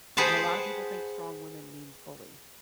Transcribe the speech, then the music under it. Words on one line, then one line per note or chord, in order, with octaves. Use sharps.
and a lotta people think strong woman means bully.
G#4 B4 C5 F#5 G5 A5